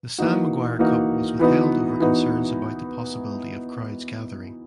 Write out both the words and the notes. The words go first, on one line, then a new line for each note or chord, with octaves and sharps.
The Sam Maguire Cup was withheld over concerns about the possibility of "crowds gathering".
E3 A#3 D#4 F#4
E3 A#3 D#4 F#4
E3 B3 D#4 F#4
E3 B3 D#4 F#4